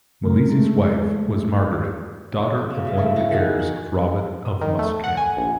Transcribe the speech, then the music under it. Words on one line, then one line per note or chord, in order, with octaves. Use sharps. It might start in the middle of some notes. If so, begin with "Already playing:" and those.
Malise's wife was Margaret, daughter of one of the heirs of Robert of Muskham.
C#3 A3 A#4
G#3 A3
C#3
C#5 E5 F5
C#3 A3
E4 F#4 A5 A#5
D#3 F#4 G#4
F#5
D#3
A3
F#5
G#5
A#1